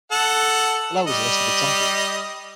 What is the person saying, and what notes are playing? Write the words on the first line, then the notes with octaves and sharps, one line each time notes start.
Below is a list of examples.
A4 F#5
G3 D#5